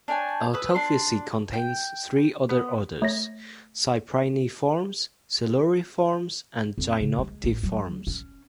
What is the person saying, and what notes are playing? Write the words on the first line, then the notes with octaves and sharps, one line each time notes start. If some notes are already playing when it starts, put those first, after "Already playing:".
Otophysi contains three other orders, Cypriniformes, Siluriformes, and Gymnotiformes.
D4 C#5 G5 G#5
B4 B5 D#6 E6
D4 C6
G5
B3
A3 C#5 A#6
F2
C#3
G#3
A1
F#3
C#4